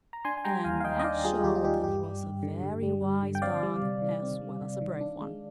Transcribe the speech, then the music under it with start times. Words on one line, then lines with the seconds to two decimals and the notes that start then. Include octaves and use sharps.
And that showed that he was a very wise bug as well as a brave one.
0.13 A#5
0.25 D4 G#5 C6
0.37 G#5
0.44 G3 G5 A#5
0.64 D#2 F5 G#5
0.80 F5
0.84 D#3 D#5 G5
0.99 D#5
1.04 D4 D5 F5
1.24 G3 F4 G#4
1.44 D#2 G4
1.55 F4
1.63 D#3 G4
1.84 G2 G4
2.04 G3
2.23 G2
2.43 D3
2.63 G2
2.83 G3
3.02 G2
3.23 D3
3.35 G5
3.42 C4 D5 F5
3.63 G3
3.82 C3
4.02 D#3
4.22 C4
4.41 G3
4.62 C3
4.81 D#3
5.01 D4
5.21 G#3